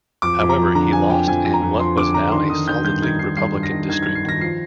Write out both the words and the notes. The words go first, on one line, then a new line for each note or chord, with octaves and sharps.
However, he lost in what was now a solidly Republican district.
F2 D6
F2
A#5
F3
D3 A#5
F3 G#5
F3 G5
F2 G#5
F2
A#5
F2
F3 C6
D3 D6
D3 A#5
D#3 C6
D#3 D#6
D#3 G6
G2 G6
D#3 G#6
D#3 C7
G2 C7
G2
A#6
D#3
D#3 G#6
G2 G#6
C7
D#3 A#6
F3 C7